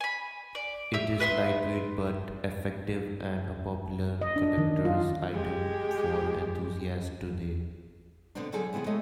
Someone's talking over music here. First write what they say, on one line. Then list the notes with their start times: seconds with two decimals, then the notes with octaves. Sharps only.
It is light-weight but effective, and a popular collector's item for enthusiasts today.
0.01 G#5 B5
0.55 D5
0.94 G4 E5 E6
1.20 B4 E5 C6 D#6
4.21 D#5
4.36 D4
4.58 D#3
4.85 F4
5.32 G#3 G4
8.35 B2 D3 B3 C4 D4
8.52 D3 F#3 G3 C4 G#4 A4
8.73 C3 E3 B3 E4 G#4
8.86 G#3 A3 A4 C#5 D#5